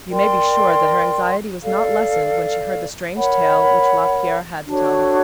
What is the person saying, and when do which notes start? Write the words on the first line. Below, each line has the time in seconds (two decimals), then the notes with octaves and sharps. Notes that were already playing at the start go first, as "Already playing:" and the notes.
You may be sure that her anxiety was not lessened when she heard the strange tale which Lapierre had to tell her.
0.11 A#4 D5 G5 C6
1.62 A4 D5 F5
3.15 A#4 C#5 F#5 B5
4.67 D4 F#4 A4 C#5